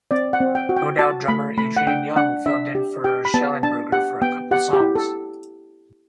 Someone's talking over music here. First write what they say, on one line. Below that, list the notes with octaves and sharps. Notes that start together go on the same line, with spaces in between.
No Doubt drummer Adrian Young filled in for Shellenberger for a couple songs.
C4 D5
F#5
C4
G5
F#4
G5
F#4 A5
A3 B5
A3 B5
F#5
D4 G5
D4 F#5
D4 E5
G4
G4 G5
B5
B3 A5
D4 A5
G4 F#5
B3 G5
G4 F#5
G4
E4
A4